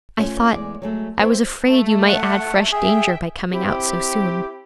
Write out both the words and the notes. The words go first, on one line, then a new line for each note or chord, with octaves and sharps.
'I thought--I was afraid you might add fresh danger by coming out so soon.'
A3 C#4 F4
E2 G#3 D5
F#3 G#3 A3
B3 C4 E4 C5
A3
F#5
G#4 E5 G5
C4 E4 G4